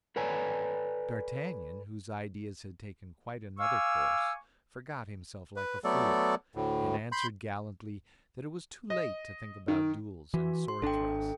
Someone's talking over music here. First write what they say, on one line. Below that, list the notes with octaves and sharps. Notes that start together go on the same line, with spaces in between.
But d'Artagnan, whose ideas had taken quite another course, forgot himself like a fool, and answered gallantly that it was too late to think about duels and sword thrusts.
A4 B4 C#5 D5 G#5 A#5
F5 G#5 C#6 D6 E6
B4
F#3 A3 B3 A4 D5
D2 A2
B5 C6 G6
D#5
D#3
E3 F#4
C6
G#1 D4 A4 G5